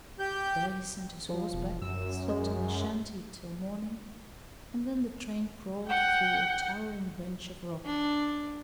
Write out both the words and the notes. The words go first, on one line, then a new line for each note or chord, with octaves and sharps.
There he sent his horse back, slept in a shanty till morning, and then the train crawled through a towering bench of rock.
G4 G6
F3
E1
F#2 E6
G#3
F#5 G5
D4